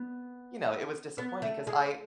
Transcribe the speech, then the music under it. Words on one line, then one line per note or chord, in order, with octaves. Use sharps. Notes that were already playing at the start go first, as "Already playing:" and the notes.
you know, it was disappointing 'cause I
Already playing: B3
B3
A3
G#3